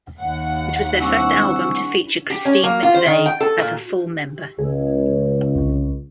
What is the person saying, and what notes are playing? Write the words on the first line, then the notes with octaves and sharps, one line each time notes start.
It was their first album to feature Christine McVie as a full member.
D#2 F#5
C2 D4 G#5 C#6 E6
G4
C#4
A#3
F4
C5
D#3
G5
A4
A#2
C#2 G#4
C2